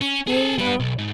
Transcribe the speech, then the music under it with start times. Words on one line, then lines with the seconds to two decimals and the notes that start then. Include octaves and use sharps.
Hey ho!
0.01 C#4
0.27 G#4 A4
0.58 G3 B4
0.80 B1
0.99 G#2